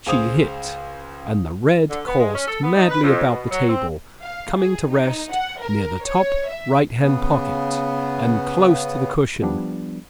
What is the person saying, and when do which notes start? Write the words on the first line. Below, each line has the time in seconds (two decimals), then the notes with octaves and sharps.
She hit, and the red coursed madly about the table, coming to rest near the top right-hand pocket and close to the cushion.
0.06 C#2 G#4 C5 D#6 F7
1.89 D3
2.06 B3
2.19 G#3
2.34 C#4
2.47 A4
2.61 B3
2.76 D#4
2.89 B4
3.02 F2
3.27 B2
3.50 F#3
3.68 C4
4.21 F5
4.59 G#4
4.91 D#4
5.32 F#5
5.61 A#4
6.06 C#5
6.48 E5
7.02 C#3 B3
9.42 F3 G3 B3 D4